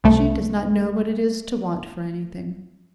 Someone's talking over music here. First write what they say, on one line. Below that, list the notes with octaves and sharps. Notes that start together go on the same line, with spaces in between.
"She does not know what it is to want for anything."
C2 A3